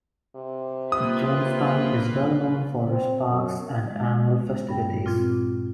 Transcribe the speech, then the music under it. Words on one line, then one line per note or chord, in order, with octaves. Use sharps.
Jonestown is well known for its parks and annual festivities.
C3
A#3 F4 B4 D#6
C4
F#2
G#3
G2 G5
A#2 C4 F4